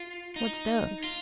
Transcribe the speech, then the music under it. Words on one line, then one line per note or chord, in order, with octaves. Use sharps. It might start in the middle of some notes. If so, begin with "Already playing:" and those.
"What's those?"
Already playing: F4
D#4
F4